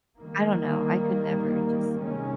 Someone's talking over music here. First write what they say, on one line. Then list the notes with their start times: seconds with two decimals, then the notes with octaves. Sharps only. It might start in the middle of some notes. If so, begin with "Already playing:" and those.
I don't know. I could never just be
0.18 D#3 G3 A#3
2.02 C3 D#3 G#3 C#4